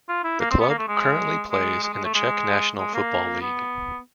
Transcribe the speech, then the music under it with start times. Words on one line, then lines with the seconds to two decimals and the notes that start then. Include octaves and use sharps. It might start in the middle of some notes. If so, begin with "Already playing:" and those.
The club currently plays in the Czech National Football League.
0.09 F4
0.24 E4
0.40 A#3
0.50 C4
0.60 B3
0.69 A#3
0.78 A3
0.88 G#3
1.51 G#3
1.83 G#3
1.93 G#3
2.04 A3
2.14 G#3
2.78 G#3
2.94 A#3
3.41 B3